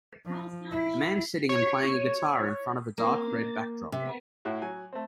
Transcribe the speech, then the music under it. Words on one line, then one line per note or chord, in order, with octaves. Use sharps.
A man sitting and playing a guitar in front of a dark red backdrop.
F3
E4
C#5
A#3
C3
A2 E4 F#4
F#3 G#5
A3 C4